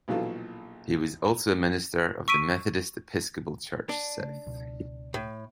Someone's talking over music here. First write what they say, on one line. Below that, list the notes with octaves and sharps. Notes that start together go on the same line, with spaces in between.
He was also a minister of the Methodist Episcopal Church South.
A#1 B2 E3 F#3 F4 A4
C#6 E6 B6 D7 D#7
D4
C#3 A3
C#2 B2
A2